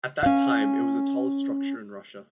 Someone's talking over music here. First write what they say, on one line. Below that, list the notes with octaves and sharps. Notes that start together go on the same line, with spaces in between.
At that time, it was the tallest structure in Russia.
C#4 F5